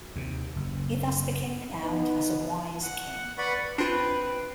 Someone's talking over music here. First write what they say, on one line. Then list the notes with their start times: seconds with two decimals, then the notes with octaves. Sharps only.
He thus became renowned as a wise king.
0.16 D#2 C3
0.56 F#1
1.80 B3 D#4
2.83 F#5
3.38 B4 D5 F#5 B5 C#6
3.78 C4 D4 F4 B4